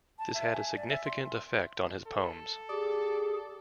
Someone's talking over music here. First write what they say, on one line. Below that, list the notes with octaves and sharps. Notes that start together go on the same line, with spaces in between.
This had a significant effect on his poems.
A5
E5
G#5
D5
E5
C6
A4
G4 G#4 D5